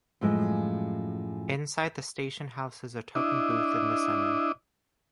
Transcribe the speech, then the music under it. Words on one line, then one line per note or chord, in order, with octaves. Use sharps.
Inside the station house is a token booth in the center.
F#2 A2 F3 G#3
D4 E4 D#5